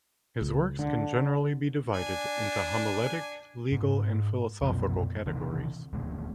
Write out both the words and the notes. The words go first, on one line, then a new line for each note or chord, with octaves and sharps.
His works can generally be divided into homiletic, legal, and philosophical categories.
C#2
D3
D4 G#5
G#2
C2 F#2 B2 F3
C3 D#3 E3
D#1 D2 G#3